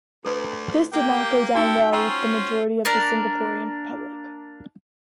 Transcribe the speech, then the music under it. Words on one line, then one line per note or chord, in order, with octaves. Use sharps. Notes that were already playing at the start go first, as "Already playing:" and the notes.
This did not go down well with the majority of the Singaporean public.
D2 A4 B4
A#3 G4 G5
C#4 D#4 F#4 A4 A#4 E5 G5
C#4 F4 F#4 C5 G5 A#5 E6
A#3 D4 A#4